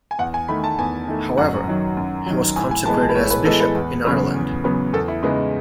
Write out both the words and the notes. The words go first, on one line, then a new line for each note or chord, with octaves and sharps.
However, he was consecrated as bishop in Ireland.
G#5
E2 F#5
G#5
D#3 A3 B5
A5
E2 G#5
D#3 A3
F#2 F#5
D#3 F#3
F#2
D#3 F#3
A2 G#5
G#5
E3 G#3 B3 A5
A5
B4
A2 C#5
B4
E3 G#3 B3 A4
B4
E2
C#3 F#3 B3
E2
C#3 F#3 B3
E2 A4
E4
C#3 G#3 B3 D#4